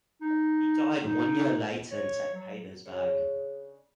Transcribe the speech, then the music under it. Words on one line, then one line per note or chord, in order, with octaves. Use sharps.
He died one year later in Saint Petersburg.
D#4
D#4
C#5
F#3
C#3 D4 G#4 C#5